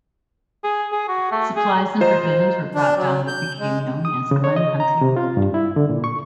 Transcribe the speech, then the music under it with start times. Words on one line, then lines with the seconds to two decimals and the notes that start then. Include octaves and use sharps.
Supplies and provisions were brought down what became known as Glen Huntly Road.
0.64 G#4
0.92 G#4
1.08 F#4
1.31 A3
1.56 G#4
2.01 F4 C5 D#5 A#5
2.75 D4
2.96 F#3
3.27 G6
3.59 G#3
4.05 D#6
4.31 C#3
4.44 C#5
4.56 D#5
4.80 A#5
5.01 C3
5.16 F4
5.37 G2
5.54 E4
5.76 D3
5.89 A#2
6.04 C#6